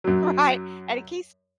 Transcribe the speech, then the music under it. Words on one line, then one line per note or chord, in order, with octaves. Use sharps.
Right? And he Keith's
F#2 F#3